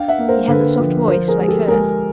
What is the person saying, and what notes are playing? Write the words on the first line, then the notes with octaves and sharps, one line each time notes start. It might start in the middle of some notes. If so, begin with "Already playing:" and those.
He has a soft voice, like hers.
Already playing: D4 F5 G5
E5 F#5
A#3
A#4 C5
D3 A4 B4
F3
F3 A#4 C5
G#4 A#4
G#3 G#4
G4 A4
G#3 G#4 A#4